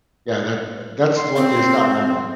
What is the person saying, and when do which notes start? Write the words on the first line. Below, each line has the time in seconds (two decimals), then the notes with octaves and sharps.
Yeah, that that's the one thing that's not rambling.
1.17 C6
1.36 C4